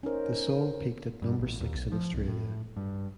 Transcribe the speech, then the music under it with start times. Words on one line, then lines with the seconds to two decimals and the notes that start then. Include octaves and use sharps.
The song peaked at number six in Australia.
0.03 C#4 D#4 A#4 C5
1.22 G2
1.38 A1
1.61 D#2
1.74 B1
1.92 F3
2.14 C2
2.28 A2
2.77 G2